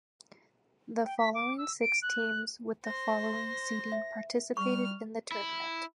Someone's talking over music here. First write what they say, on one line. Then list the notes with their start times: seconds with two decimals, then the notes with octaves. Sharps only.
The following six teams with the following seeding participated in the tournament.
1.05 G5
1.18 B6
1.34 D6
1.57 E6
1.80 D7
2.02 F#6
2.84 C5 C6 A#6
3.92 E5
4.57 G3 C#6 F6
5.32 E4